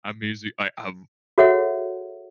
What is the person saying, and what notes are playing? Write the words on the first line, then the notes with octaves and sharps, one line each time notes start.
I musi I I've
F#4 G#4 A4 C#5 E5 F#5